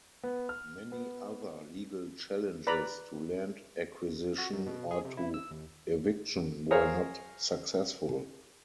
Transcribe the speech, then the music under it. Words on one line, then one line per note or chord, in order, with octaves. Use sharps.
Many other legal challenges to land acquisition or to eviction were not successful.
B3
F6
B3
B4 D5 A#5 B5
F#4
F#2
B2
G#4
C3
E4
E6
D#2
G#4 A#4 C5 C#5 F5